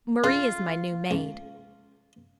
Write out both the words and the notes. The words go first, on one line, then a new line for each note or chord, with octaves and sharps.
Marie is my new maid.
C#3 F4
C#2